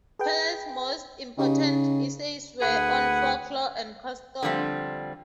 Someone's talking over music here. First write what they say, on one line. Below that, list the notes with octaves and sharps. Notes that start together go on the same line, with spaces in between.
Perles' most important essays were on folklore and custom.
G#4 B4 G5
C#3 D#4 G4
D2 G#4 B4 F#5
D3 F3 G3 C4